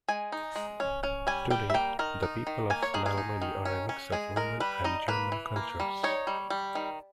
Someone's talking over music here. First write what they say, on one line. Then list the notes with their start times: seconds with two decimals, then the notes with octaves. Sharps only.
Today, the people of Malmedy are a mix of Roman and German cultures.
0.08 G#3 G#5
0.32 D#4
0.56 G#3
0.80 C#4
1.03 C#4
1.27 G3 G#5
1.50 G3 G5
1.70 E5
1.74 A#3 G5
1.99 D#3 A#4
2.23 D#4
2.47 D#3
2.70 A#3 G#5
2.83 C#5
2.94 D#3 G#4
3.06 G#4
3.17 D#4
3.42 D#3
3.65 C#4
3.89 C#4
4.12 G#3 G#4
4.36 G#3 A#4
4.60 G3 B4
4.84 D#4 D#5
5.08 A#3 B4
5.32 E3
5.56 A#3
5.80 G3
6.03 D#4 C#5
6.27 G3
6.50 G3
6.75 D#3